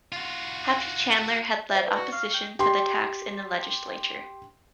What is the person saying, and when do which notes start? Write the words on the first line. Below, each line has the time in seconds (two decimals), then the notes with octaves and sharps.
"Happy" Chandler had led opposition to the tax in the legislature.
0.12 F4 F#4
1.71 C5 E5
1.83 B4 D5
1.96 F#4
2.12 F5 C#6 F6
2.34 G5
2.59 G4 C6